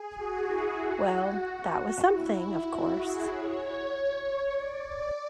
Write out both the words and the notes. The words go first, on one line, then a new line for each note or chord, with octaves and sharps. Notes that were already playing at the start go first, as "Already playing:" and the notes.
Well, that was something, of course.
Already playing: G#4
F#4
E4
F#4
F#4
E4
F#4
G#4
C#5
D5